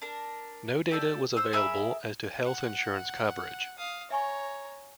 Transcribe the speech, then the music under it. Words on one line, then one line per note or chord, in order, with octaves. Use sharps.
No data was available as to health insurance coverage.
D4 A#4
G4 A4 A#4 D5
C5 E6
G#4 A#4 E5 B5
F#5
F5 D#6
C#5 E5 G#5 A#5 C#6